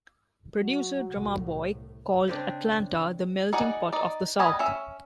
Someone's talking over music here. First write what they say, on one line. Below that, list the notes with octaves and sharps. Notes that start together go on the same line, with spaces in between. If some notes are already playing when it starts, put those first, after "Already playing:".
Producer Drumma Boy called Atlanta "the melting pot of the South".
F#3
C2 A2
C#3 C4 D4
D#4 G#4 D5 F#5
D#4 D5
G3 B3 D#5 G#5 B5
C#4 E5